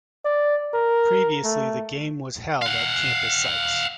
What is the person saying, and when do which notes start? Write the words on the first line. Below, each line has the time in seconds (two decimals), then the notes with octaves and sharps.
Previously the game was held at campus sites.
0.25 D5
0.74 A#4
1.44 A3
2.62 F5 F#5